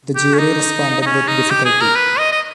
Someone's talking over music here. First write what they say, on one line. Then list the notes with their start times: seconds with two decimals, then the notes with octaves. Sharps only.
The jury responded with difficulty.
0.15 G4
0.34 C#4
0.38 D#4
1.01 D#4
1.06 C#4
1.28 D#4
1.50 G4
1.65 G#4
1.81 A#4
1.95 B4
2.19 D#5
2.32 D#5